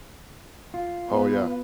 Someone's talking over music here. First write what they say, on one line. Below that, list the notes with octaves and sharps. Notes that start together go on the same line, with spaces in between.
Oh, yeah.
F4
B3 B4